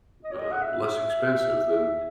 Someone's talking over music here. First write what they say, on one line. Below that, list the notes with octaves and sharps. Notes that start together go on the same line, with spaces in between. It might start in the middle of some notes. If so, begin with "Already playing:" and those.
uh, less expensive than
D#5
C#5
D#5
F#5
E5